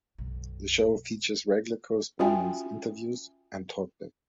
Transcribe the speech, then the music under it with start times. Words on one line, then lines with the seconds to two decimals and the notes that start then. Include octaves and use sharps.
The show features regular correspondents, interviews and talkback.
0.18 B1 F#2
2.19 C#4 F4 F#4 E5 G5 G#5